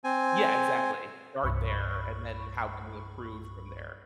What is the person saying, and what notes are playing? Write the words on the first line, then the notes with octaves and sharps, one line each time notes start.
Yeah, exactly. Start there, and then how can we improve from there.
C4 G#5
C2 G2 B5 C#6